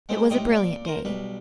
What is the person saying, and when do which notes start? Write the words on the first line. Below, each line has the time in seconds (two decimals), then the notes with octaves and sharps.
It was a brilliant day.
0.09 G#3 B3 C4 C5
0.30 A2 G3 C4 D#4 D#6
0.51 A#2 D5
0.85 A#4 C5
1.05 B1 G3 B4